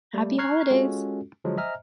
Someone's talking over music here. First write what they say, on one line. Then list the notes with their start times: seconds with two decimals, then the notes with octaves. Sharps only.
Happy Holidays!
0.13 G3 A3 A#3
0.38 A#5 C#6 F6 F#6 G#6 C7
0.71 G#3 C#4 F4 F#4 A4
1.44 D3 F3 F#3 G#3
1.57 C5 D#5 E5 G#5 A#5 F6